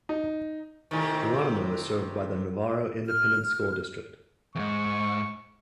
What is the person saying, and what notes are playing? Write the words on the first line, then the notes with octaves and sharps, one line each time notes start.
Geronimo is served by the Navarro Independent School District.
D#4
A2 C3 D#3
F6
E2 G#2 C#6